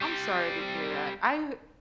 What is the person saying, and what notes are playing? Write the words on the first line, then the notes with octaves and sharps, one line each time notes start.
I'm sorry to hear that, I h
G3 C4